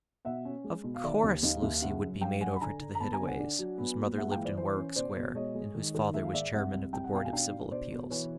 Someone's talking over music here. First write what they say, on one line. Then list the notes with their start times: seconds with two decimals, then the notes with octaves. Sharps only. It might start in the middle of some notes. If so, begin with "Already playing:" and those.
Of course Lucy would be made over to the Hittaways, whose mother lived in Warwick Square, and whose father was Chairman of the Board of Civil Appeals.
0.25 B2 E5 F#5
0.45 C#4
0.64 G#3
0.84 B2
0.94 F5
1.03 D#3 D5 E5
1.23 D#2
1.43 D#2 D#5 F5
1.62 D#2 E5
1.73 F5
1.82 C#3 E5 F#5
2.02 F#2
2.21 F#2 F5 G5
2.41 F#2 F#5 G#5
2.56 B5
2.61 D3 G#5 A#5
2.80 D3
2.95 A#5
3.00 B3 A5 B5
3.13 G#5 A#5
3.20 D3
3.26 F#5 G#5
3.39 D4
3.59 F#3
3.78 B3
3.99 A#2
4.17 G#3 E5 F#5
4.31 F5 G5
4.37 E3
4.44 C5 D5
4.57 E3 C5
4.77 C#4
4.96 B2 C5 D5
5.16 B2
5.35 G#3 C#5 D#5
5.55 G#3
5.75 D#3
5.94 D#3
6.14 G#3 E5
6.24 F5
6.34 G#2 D5 E5
6.53 C2 E5 F#5
6.73 C2
6.93 C2 G5
7.04 F#5
7.12 B2 F5 G5
7.25 G#5
7.32 D4 F5 G5
7.52 D4
7.71 B2 C5 D5
7.92 B2
8.10 E3 B4 C#5